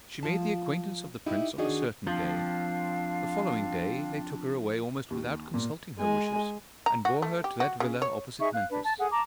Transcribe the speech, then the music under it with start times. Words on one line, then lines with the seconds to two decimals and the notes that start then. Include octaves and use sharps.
She made the acquaintance of the prince on a certain day; the following day they took her away almost without consulting her wishes, and bore her to that villa opposite Memphis.
0.23 F3 F4 A5
1.26 D#4 E4 G4
1.58 D#3 D4 D#4 F#4 G#4 D#5
2.07 F3 C4 D4 F5
5.10 D#2
5.54 A#2
5.99 G#3 G#5
6.86 A#5
7.05 F#4
7.22 A3
7.44 G4
7.60 F#4
7.80 C#3
8.02 C#5
8.39 D#4 G#4 E5 C#6
8.53 F5 F#6
8.70 D4 B4
8.85 A5
8.98 G#4 A4 F#5
9.12 A5 A#5 D6